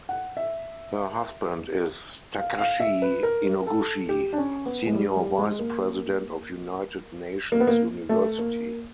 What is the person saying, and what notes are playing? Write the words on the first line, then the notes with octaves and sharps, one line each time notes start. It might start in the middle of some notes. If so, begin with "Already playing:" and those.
Her husband is Takashi Inoguchi, senior vice president of United Nations University.
F#5
E5
F5
F5
E5
B4
A#4
A4
G4
D4
C#4
B3
G#3
G3
G3
G#3
A#3
A#3
B3
A#3
A3
A#3